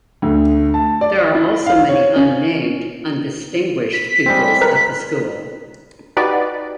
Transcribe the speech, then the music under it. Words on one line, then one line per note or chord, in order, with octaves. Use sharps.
There are also many unnamed, undistinguished pupils at the school.
D2
A5
D5
E4
F5
C#5
C#4
B6
G3 G#3 C4
A#4 B4 A#5
D#4 F#4 G4 B4 D5